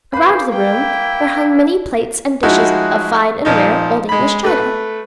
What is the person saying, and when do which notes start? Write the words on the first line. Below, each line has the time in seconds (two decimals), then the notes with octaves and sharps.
Around the room were hung many plates and dishes of fine and rare old English china.
0.13 A#3 B4 C5 B5
0.53 E4 G5
2.43 F3 G#3 D#4 E4 F#4
3.45 A#2 F3 D#4
4.09 G#3 B5
4.44 A3 B4